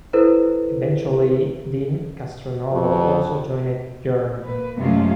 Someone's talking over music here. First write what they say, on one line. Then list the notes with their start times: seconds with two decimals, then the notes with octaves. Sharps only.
Eventually, Deen Castronovo also joined Journey.
0.13 E4 A4 B4 C5
2.71 F2
4.42 A#3 B4
4.78 F#2 C3 G#3 A3 C#4 F4